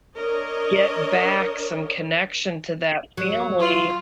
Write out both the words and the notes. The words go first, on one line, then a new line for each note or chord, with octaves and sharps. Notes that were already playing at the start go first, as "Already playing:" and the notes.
get back some connection to that family,
D4 A#4 C#5 D#5
F#3
F4